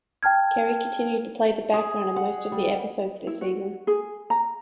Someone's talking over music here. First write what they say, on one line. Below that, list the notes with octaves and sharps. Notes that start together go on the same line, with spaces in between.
Kerry continued to play the background in most of the episodes this season.
G5 A5 F6 G#6
G#4
F#5
G3
E4
F#4
G#4
A#5